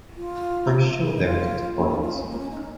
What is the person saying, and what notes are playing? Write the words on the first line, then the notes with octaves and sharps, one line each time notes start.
I'm sure they would get a point!
F4
G#4
D#4
F4
C#4
D#4
F4
C#4
G#3
A#3
C#4
D#4
D#4